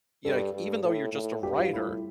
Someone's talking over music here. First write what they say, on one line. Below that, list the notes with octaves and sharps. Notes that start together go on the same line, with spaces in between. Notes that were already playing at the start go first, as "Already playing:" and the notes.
y like, even though you're just a writer,
G2 A4
G2
A2
A2
G2 G4
F4
A2 E4
E4